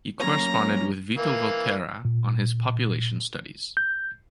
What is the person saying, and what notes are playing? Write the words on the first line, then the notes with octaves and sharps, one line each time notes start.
He corresponded with Vito Volterra on his population studies.
F#3 A#3 C#4 C#5 A#5
E3 A#3
A#2
G6